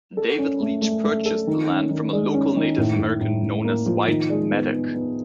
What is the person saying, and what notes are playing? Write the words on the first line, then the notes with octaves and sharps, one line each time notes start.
David Leech purchased the land from a local Native American known as White Maddock.
A4
C#4
A3
A3
A3
A4
D#3
C#4
D#3
G#3
C#4
D#3
A2
A2
A2
A2
A#3
F3
D#3
G#3
B3
B3
B3